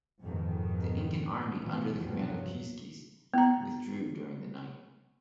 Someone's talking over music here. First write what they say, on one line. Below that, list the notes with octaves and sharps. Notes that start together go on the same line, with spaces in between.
The Incan army under the command of Quizquiz withdrew during the night.
F2 G#2 B2 D#3
B2 E3 F3
E2 G2 C3 F3 F#3
B3 A#5